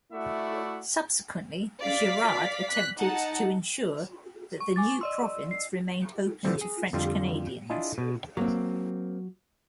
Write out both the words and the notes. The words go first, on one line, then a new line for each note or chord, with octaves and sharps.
Subsequently, Girard attempted to ensure that the new province remained open to French-Canadians.
A3 E4 F#4 D5 E5 F#5
D5 F5 B6
F#6 B6
D#4 F#5 A5
C#6
G#5 D6 A6
D5 D#5 C6 E6
C7
D3 E3 F3 G3 A3 C4
G#4
F2 D3 G3 F4 F5 G5
D4 E4 F4 D#5 G#5
B2
F#3 A#3 C4